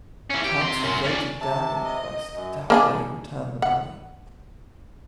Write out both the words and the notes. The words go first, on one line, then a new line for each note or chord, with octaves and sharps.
Council voted down a request to have Rae return the money.
E3 C#4
G4
C3 C6
C#4 A#4
C#4 D5
C3 A5
D#5
F#2
A#3 D4 G#4
F#5